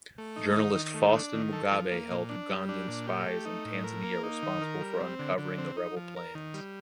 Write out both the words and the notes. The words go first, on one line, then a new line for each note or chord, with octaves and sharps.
Journalist Faustin Mugabe held Ugandan spies in Tanzania responsible for uncovering the rebel plans.
A3
D#4
D#3
D#3
A3
D4
D#3
A4
F3
A#3
A#2
D4
G3
D4
A#2
G4
A3
D#4
A2
A#4
A#3
D#4
D#3
A#4
G3
C4
D3
D3
C4
D#4
F3
A#4
D#3
G3